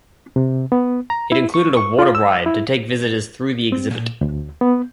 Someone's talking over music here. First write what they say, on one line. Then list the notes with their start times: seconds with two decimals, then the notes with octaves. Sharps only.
It included a water ride to take visitors through the exhibit.
0.36 C3
0.72 B3
1.10 A#5
1.32 E4
1.54 C#6
1.77 C#6
1.99 F4
2.15 E6
2.46 E4
3.72 C4
3.91 A#2
4.21 D2
4.61 B3